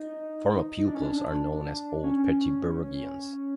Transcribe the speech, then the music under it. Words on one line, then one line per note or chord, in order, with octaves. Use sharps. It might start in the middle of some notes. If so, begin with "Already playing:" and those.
Former pupils are known as "Old Petriburgians".
Already playing: D#4
D#4
D4
C#4
D4
C#4